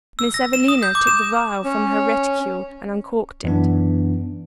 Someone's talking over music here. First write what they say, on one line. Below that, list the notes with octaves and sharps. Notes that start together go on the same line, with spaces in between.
Miss Evelina took the vial from her reticule and uncorked it.
E6
A#6
E7
D#6
G6
D6
E7
C#4
F#2 E3 B3 D4